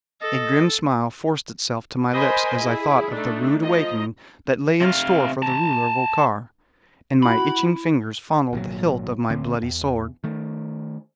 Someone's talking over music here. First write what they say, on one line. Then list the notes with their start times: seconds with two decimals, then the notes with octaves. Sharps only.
A grim smile forced itself to my lips as I thought of the rude awakening that lay in store for the ruler of Okar, and my itching fingers fondled the hilt of my bloody sword.
0.21 A4 D#5
2.13 A#4 C5 D#5 G#5 B5
2.62 E4 G#4 B5
3.11 A3 D4 D#4
3.62 F3 D#5 A#5
4.81 C3 F5
5.42 A5 A#5
7.23 E4 F#4 B5
8.53 G#1 A#2 C#3 F#3
9.30 D1 D3 C4
9.63 E2
10.24 D#3 A3